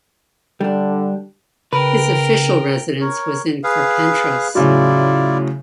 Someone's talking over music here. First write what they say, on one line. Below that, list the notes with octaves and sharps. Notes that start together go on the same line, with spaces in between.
His official residence was in Carpentras.
D3 G3 D4
C#3 A#4 B4 G5
A#4 C#5
G#4 B4 F5
A2 C#3 F#3 E4 F4 D5